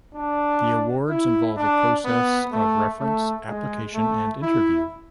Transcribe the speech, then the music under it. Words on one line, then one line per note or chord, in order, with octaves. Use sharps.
The awards involve a process of reference, application and interview.
D4
E4
D4
B3
A3
A3
G#3
A3
E4